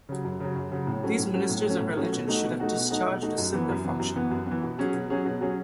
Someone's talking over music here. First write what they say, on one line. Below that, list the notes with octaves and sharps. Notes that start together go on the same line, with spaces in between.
These ministers of religion should have discharged a similar function.
C#3 F#3
F#2
C#3 F#3
F#2
C#3 F#3
A2
F#3 A3 C#4
A2
F#3 A3 C#4
A2
F#3 A3 C#4
A2
F#3 A3 C#4
B2
A3 D#4 F#4
B2
A3 D#4 F#4
B2
A3 D#4 F#4
B2
A3 D#4 F#4
F#2
E3 B3
F#2
E3 B3
F#2
E3 B3
F#2
E3 B3
B2
F#3 C#4 G#4
B2
F#3 C#4 G#4
B2
F#3 C#4 G#4